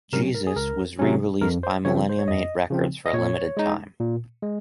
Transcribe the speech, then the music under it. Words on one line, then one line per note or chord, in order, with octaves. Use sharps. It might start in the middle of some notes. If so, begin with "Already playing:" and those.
"Jesus" was rereleased by Millennium Eight Records for a limited time.
C3 F#3 C#4 A#4
A#4
G#4
C#2 A#4
C3 F#3 C#4
F2 A#4
C5
C#3 F3 C4 C#5
C5
C#5
F2 D#5
C#3 F3 C4
D#5
A#2 C#5
G#3 D#4
A#2
G#3